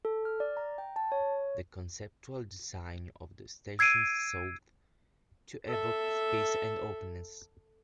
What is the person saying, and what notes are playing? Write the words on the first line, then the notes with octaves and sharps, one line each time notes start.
The conceptual design of the stations sought to evoke space and openness.
A4
F6
D5
A#5
G5
A5
C#5
E6 G#6 C7 D7 D#7
A4 E5